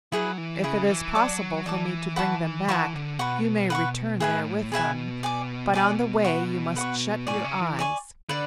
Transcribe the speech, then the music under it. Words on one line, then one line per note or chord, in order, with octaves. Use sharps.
If it is possible for me to bring them back, you may return there with them, but on the way you must shut your eyes.
F#3 E4 G#4 B4
E3
C#3 E4 G#4 B4
E3
F#3 D5 A5 D6
E3 D5 A5 D6
B4 F#5 A5 C#6
E3 B4 F#5 A5 C#6
D3
B2 B4 F#5 C#6
B4 F#5 C#6
A2 G#4 B4 E5 G#5
B2 G#4 B4 E5 G#5
D5 G#5 D6
B2 D5 G#5 D6
B4 F#5 C#6
B4 F#5 C#6
A2 D5 G#5 C#6
C#3
E3
D5 G#5 C#6
D3 B4 D5